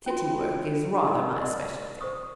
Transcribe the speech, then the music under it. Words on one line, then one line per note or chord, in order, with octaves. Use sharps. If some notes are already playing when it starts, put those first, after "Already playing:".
"City work is rather my specialty."
C#4 F4 F#4
D#4 A#4
A#4 D5 D#5
C5 C#6 D#6